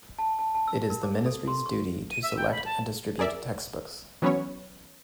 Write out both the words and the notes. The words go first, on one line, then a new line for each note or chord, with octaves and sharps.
It is the Ministry's duty to select and distribute textbooks.
A5
A5
A5
E6
A#4
D6
A4
C6
C#6
D#7
E5
G5
B5
A5
G#4 A#4 D5 E5
E3 F#3 B3 C#4 B4 C#5